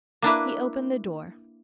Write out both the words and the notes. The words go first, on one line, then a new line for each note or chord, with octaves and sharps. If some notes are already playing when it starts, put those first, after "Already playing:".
He opened the door.
A#3 D4 E4 B4